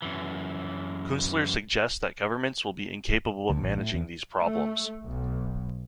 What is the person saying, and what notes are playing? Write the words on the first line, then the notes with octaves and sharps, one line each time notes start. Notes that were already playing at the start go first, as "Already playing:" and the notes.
Kunstler suggests that governments will be incapable of managing these problems.
F#2 E3
D2
A1
A2
E2
A3
B1